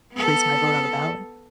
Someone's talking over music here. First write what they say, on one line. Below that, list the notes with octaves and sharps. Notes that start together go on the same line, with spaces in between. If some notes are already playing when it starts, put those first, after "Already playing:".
placed my vote on the ballot.
B3 A4